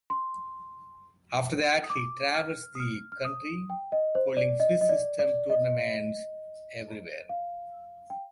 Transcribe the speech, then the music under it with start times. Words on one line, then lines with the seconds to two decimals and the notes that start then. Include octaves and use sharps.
After that, he traversed the country, holding Swiss system tournaments everywhere.
0.10 C6
1.84 D#6
1.90 D6
2.35 F6
2.75 D#6
2.80 F6
3.12 F6
3.25 D#6
3.70 G5
3.92 D#5
4.15 C5
4.37 D5
4.60 D#5
4.81 D#5
4.89 D5
5.19 D5
5.50 D#5
7.29 F5
8.10 G5